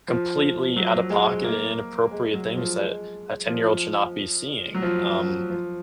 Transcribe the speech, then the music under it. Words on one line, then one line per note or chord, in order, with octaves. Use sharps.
completely out-of-pocket and inappropriate things that a ten-year-old should not be seeing, um,
F3
F#3
G#3
A#3
G#3
F#3
F3
G#3
F3
F#3
F3
F3